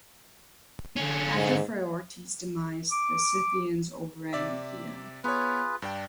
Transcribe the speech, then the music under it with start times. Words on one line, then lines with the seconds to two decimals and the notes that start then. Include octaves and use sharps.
After Phraortes' demise, the Scythians overran Media.
0.96 D3 C#4
1.35 G#2
2.91 D6
4.33 C3 D5 E5
5.24 B3 F4 G#4 B4 C#5
5.82 G2 D4 G5